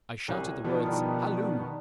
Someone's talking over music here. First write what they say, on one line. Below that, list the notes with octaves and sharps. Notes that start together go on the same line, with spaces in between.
I shouted the words 'Halloo!
C2 A2 G#5
B2 D#3 F3 B3 D4
G3 A#4